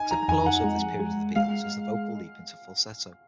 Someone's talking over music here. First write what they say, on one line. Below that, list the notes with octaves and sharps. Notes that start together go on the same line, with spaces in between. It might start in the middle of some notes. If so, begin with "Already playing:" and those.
Typical also of this period of the Beatles is the vocal leap into falsetto.
Already playing: D#4 G#5
A#5
F2 G#5
F#5
G#3
G#3
G#3 F5